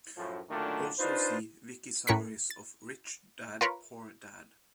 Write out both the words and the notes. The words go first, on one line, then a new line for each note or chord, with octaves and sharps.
Also see WikiSummaries of Rich Dad Poor Dad.
F#2 A2 F3
F#2 A#2 D3 D#3 A3 D4
D4 D#4 F4 B4 C5
A2 C#4 A#4 C#6 F#6 B6
A6
F4 A#4 B4 C#5